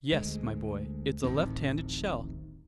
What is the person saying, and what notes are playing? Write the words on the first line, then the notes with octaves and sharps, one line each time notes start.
"Yes, my boy, it's a left-handed shell!"
D2 G#3
D1 A1 D#3 C4